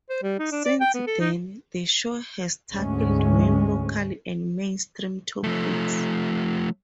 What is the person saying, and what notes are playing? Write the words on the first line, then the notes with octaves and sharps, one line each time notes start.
Since then, the show has tackled many local and mainstream topics.
C5
G3
D#4
D4
D5
G5
B3
A4
D#4
D2 G#2 G#3 C#4
F3 A3